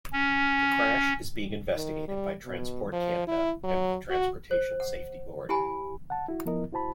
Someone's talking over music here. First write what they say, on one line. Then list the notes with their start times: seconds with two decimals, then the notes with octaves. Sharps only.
The crash is being investigated by Transport Canada and the Transportation Safety Board.
0.13 C#4
1.75 D#3
2.08 G3
2.45 B2
2.92 F3
3.28 E4
3.64 F#3
4.10 F#4
4.51 C5
4.80 F#5
5.49 E4 G4 F#5 G#5 B5
6.10 F#5 A5
6.28 E4 F#4
6.46 F3 B3 E4 A#4 D#5
6.72 E4 F#4 C5 A5 B5